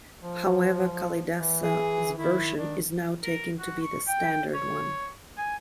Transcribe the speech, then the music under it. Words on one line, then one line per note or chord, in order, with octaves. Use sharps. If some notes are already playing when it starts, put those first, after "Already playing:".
However, Kalidasa's version is now taken to be the standard one.
F3
E3
G#4
D#3 E4
D#3 D4
A#4
F#4
C#6
G5
C#5
G#5